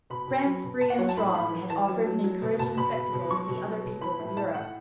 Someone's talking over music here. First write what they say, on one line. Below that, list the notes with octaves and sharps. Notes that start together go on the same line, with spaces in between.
France free and strong had offered an encouraging spectacle to the other peoples of Europe.
B2 B5
B2
F#3
B2
B2 A5
F#5
F#3 C#5
A5
A2 B5
A2 B5
E3
E3 A5
F#3
F#3
F#3
B2
B2 A5
B2 B5
B2
B2
F#3 C#6
B2
F#3
B2
E3 B5
A2
A2 A5
A2 F#5